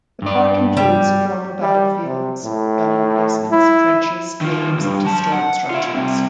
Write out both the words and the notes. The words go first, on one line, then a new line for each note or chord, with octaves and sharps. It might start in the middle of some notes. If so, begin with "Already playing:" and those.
The park includes former battlefields, gun emplacements, trenches, caves, and historic structures.
G2 D5
G3
G3
C3
A2
E4
D#3 F4
B1 G2
F#3 A5
F#5
F4 E5
C2 C3